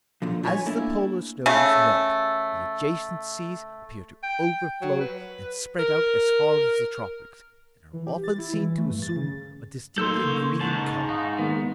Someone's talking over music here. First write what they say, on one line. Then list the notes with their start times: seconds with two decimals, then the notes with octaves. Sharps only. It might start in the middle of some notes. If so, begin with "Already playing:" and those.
As the polar snows melt the adjacent seas appear to overflow and spread out as far as the tropics, and are often seen to assume a distinctly green colour.
0.22 A#2 D3 F3
0.43 F4 F#4 B4 C#5 G#5
0.66 A3 A#3 D4 E4
1.46 C#3 A3
4.23 G5
4.82 F#3
5.01 B4
5.79 A#4
7.93 E3
8.07 G4
8.24 A6
8.39 E4
8.54 E3
8.78 A3
8.91 G2
9.02 A6
9.16 C#3
9.98 F#3 A3 A#3 D#4 A4 C6 E6 G6
10.24 C#3 C#6
10.60 G#2 A5
11.09 D#4 F5 C#6
11.38 D#3 G#3 A#3 B3 D#4